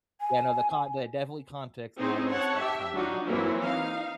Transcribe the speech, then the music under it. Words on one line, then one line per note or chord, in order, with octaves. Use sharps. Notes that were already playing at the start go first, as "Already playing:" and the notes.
Yeah, no, the con the definitely context matters a ton, um,
G#5
C4 C#4 D#4 E4 G#4 C5
C#5 F#5 A5
G4 E5
F#3 D4 D#4 F4 F#4
E3 F#3 A#3 C4 E4
D#4 F5